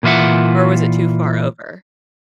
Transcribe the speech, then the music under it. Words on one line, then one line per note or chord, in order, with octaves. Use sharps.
Or was it too far over?
A#2 E3 F4 E5 F#5